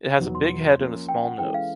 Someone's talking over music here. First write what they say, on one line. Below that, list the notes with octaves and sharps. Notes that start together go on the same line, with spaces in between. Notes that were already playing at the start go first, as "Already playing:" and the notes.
It has a big head and a small nose.
E2 B2 F#3 B3 D#4
C6
F3 A#3 C#4
G5
F#5
E3 G#3 C#4 E4 A4 G5
F5